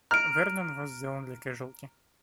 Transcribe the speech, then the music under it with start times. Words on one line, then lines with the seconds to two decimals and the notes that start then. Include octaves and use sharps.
Vernon was the only casualty.
0.11 A#5 F6 D7